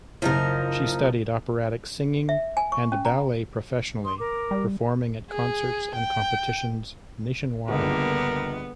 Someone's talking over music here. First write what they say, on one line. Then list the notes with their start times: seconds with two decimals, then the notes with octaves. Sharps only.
She studied operatic singing and ballet professionally, performing at concerts and competitions nationwide.
0.22 F#1 F3 D#4 E4 A#4
2.29 E5
2.57 G#5
2.72 C#6
2.92 C#4
3.05 A#5
4.04 C6 D#6
4.18 A#4 D6
4.51 G3
5.31 G#4
5.95 G5
7.69 G1 C#2 D3 G3 A#3 B3 A#4